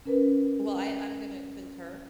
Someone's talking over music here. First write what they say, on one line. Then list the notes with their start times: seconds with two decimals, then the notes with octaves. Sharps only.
Well, I I'm gonna concur.
0.05 C#4 A#4 B4